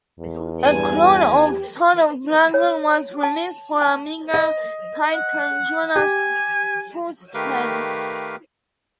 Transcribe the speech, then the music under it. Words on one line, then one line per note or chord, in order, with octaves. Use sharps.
A clone of "Son of Blagger" was released for Amiga, titled "Jonas Fulstrand".
E2
G2 G3 B4 G#5
G4
C#5
A5
A5
D#5
F#5
G4 G#5
D#3 A3 G4 A#4 B4 F5